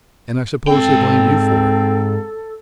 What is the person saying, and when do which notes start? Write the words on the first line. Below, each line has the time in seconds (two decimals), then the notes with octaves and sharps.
"And I suppose they blamed you for it."
0.68 G#2 C4 A4 G5